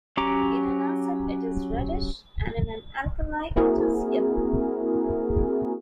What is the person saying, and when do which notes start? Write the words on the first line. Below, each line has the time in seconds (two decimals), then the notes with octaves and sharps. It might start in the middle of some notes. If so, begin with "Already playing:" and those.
In an acid, it is reddish and in alkali, it is yellow.
0.17 F#3 C#4 G4 A#5 D6
3.56 A#3 C4 E4 F#4 G#4 A#4